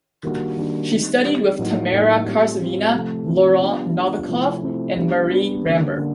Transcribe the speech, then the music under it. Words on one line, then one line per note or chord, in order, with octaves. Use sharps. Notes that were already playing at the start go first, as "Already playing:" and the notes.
She studied with Tamara Karsavina, Laurent Novikoff and Marie Rambert.
D#3 G3 A#3 D4 F#4
D#3 G3 A#3 D4 F#4
G3 C4 D#4
G3 C4 D#4
A2 F#3 A#3 D#4 F#4
A2 F#3 A#3 D#4 F#4
G3 C4 F4
G3 C4 F4
C3 F3 A3
C3 F3 A3
G3 B3 D4 F4
G3 B3 D4 F4
C3 F3 A3 C4 E4
C3 F3 A3 C4 E4
G3 B3 D4
G3 B3 D4
D3 G3 A#3 C#4
D3 G3 A#3